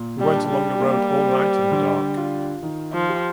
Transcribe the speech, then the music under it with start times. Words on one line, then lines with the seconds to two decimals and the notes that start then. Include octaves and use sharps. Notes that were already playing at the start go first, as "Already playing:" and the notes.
We went along the road all night in the dark.
Already playing: A#2
0.19 G3
0.35 D4
0.49 G3
0.80 A#3
1.26 C5
1.72 D3
2.17 F4
2.63 D#3
2.93 F3
3.09 G4